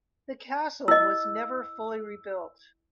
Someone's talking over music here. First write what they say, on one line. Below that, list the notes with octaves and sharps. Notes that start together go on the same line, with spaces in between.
The castle was never fully rebuilt.
E4 D#5 E6